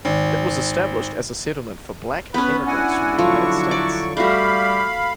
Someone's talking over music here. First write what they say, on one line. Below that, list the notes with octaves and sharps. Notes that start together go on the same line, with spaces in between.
It was established as a settlement for black emigrants from the United States.
G#1
B3 C#4 B4 B5
D4 E4 F#4 F#5 G#5
D3 F3 F#3 C#6
D5
G3 A3 F#4 G4 F5 B5